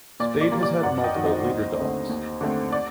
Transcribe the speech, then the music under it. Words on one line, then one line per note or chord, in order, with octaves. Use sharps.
Spade has had multiple Leader Dogs.
A#2 D5
D5
G3 A#3
D5
F#2 D5 F#5
D#5 G5
D#3 F#3
C5 D#5
D#2
D3 A3 C4
D#2
D3 A3 C4
D5